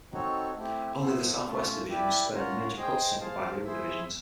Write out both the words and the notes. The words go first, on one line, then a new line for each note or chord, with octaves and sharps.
Only the Southwest division was spared the major cuts suffered by the other divisions.
C4 D#4 F#4 A4 C#5
A3 C4 E4 G4
B3 E4 A4 C5
A3 C#4 F4
E4 G4 B4 D5
C#4 F4 A#4 C#5 F#5
G#4 C5 D#5 G5
G#4 C5 F5 A5
E4 G#4 C5 E5